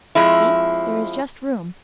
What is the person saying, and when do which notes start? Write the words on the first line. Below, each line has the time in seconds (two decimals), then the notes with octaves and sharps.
"See! there is just room."
0.15 F2 F3 G#3 E4